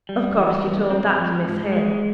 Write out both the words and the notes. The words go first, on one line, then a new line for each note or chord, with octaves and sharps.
'Of course you told that to Miss Hale?'
G3
E3
G2
C4
F3
G#2
G#3